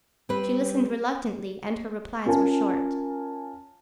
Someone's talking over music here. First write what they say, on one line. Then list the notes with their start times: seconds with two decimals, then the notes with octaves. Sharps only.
She listened reluctantly, and her replies were short.
0.29 G3 C4 B4
2.26 C#4 F4 A#4 G#5 A5